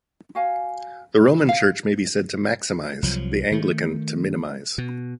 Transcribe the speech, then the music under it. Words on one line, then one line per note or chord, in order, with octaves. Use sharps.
The Roman Church may be said to maximise, the Anglican to minimise.
F#4 F5 G#5
F5
C2 F3 F#3
D#3 A3
B2